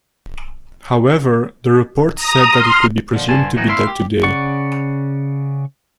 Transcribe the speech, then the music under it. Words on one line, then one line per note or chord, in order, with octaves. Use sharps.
However, the report said that he could be presumed to be dead today.
A#5 D#6
C6 F6
A#2 D3 D#3 F3
G2 D3 D4 C5 G#5 A5
B2 D#3 E3 F#3 D#4 F#4
A#3 E4 E5 F5 C6
G4
C#3 D5 F#5 C#6